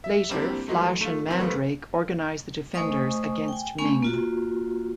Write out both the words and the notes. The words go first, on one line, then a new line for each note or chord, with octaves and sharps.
Later, Flash and Mandrake organize the Defenders against Ming.
E5
G3 A#3 C4 D4 E4 G4
E3 F#3 G#3 A3
A3 F4
D#3 E3 C4
D#2 G3 A3 B3 C4
A3 C5 D#5 G#5 C#6 D#6
G5 G#5
A3 B3 C#4 G#5 C#6
A#3 F4 F#4